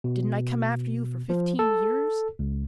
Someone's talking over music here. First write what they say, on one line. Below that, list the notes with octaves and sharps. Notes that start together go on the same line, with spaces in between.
Didn't I come after you for fifteen years?
B2
F3
A4
C#2